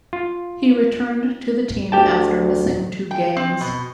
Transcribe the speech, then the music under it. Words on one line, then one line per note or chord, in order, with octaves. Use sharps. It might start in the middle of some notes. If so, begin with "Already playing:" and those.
He returned to the team after missing two games.
F4
D2 G4 G5 A5
G5
C4
B2